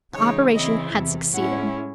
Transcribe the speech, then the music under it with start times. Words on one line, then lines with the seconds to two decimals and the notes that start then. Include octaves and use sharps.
The operation had succeeded.
0.12 C#3 E3 G#3 D#4 C#5
0.53 C#3 E3 C4 E4 D#5
0.92 E2 C3 E3
1.32 A2 G#3 C#4 E4 F#5